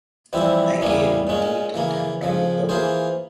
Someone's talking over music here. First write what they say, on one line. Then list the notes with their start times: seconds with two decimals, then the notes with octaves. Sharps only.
I gave him a little time to recover.
0.33 F2 E3 G3 C4 E4
0.80 E2 E3 G3 A#3 C#4
1.27 A#2 G#3 C#4
1.74 C#3 E3 A#3
2.22 F2 C#3 F3
2.69 E3 A#3 F4 G#4 C5